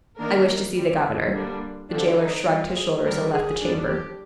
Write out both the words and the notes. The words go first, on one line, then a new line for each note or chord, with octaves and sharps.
"I wish to see the governor." The jailer shrugged his shoulders and left the chamber.
D#3 A#3 D4 A#4
G3 C4
D3 G3 A#3 D4
D3 F3 C4 D4
D#4
G3 C4 F4
G#4
D3 G3 C4 A#4
G#4
G3 D4
G4